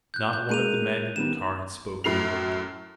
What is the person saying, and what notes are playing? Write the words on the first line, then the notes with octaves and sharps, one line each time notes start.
Not one of the men in the car had spoken a word.
F#6 G6
G6
G#3 A#3 F#6 D#7 F7
D#3 G3 B3 E7
F#2 A2 C7 F7